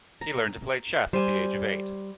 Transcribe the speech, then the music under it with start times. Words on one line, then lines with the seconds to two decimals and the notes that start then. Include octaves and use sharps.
He learned to play chess at the age of eight.
0.21 A#5
1.13 G3 C5 G#5